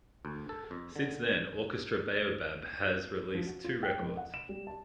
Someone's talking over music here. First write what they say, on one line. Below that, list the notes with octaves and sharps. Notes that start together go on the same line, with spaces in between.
Since then Orchestra Baobab has released two records.
D2
A4
F2
D3
F3
F#4
F4
G5
F2
F#5
E7
G3
A5